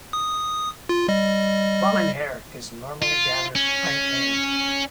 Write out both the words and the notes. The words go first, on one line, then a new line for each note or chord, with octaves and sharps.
Fallen hair is normally gathered by hand.
D#6
F4
G3 D#5
F4
C#4